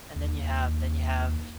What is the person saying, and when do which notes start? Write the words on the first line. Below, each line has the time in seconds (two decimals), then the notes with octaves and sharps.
And then you have then you have
0.16 D#2